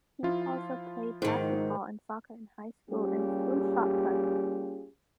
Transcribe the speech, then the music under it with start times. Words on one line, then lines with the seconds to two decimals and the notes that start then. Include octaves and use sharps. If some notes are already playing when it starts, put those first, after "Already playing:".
Pete also played basketball and soccer in high school and threw shot put.
0.23 F3 E4 F4
1.22 G#2 D#3
2.89 G3 A#3 C#4 F4 G4 G#4